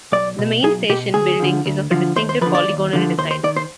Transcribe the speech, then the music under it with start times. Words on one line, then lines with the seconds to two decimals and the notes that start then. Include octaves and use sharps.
The main station building is of a distinctive polygonal design.
0.12 B1 D5
0.39 B2
0.63 B1 G#4
0.89 B2 G4
1.14 D2 G#4
1.40 D3 F3
1.66 D2
1.91 D3 F3
2.16 D#2 C5
2.29 C5
2.41 F3 B4
2.46 D3
2.55 D5
2.68 D#2
2.93 D3 F3
3.18 D#2 C5
3.31 C5
3.43 D#3 D5
3.56 C5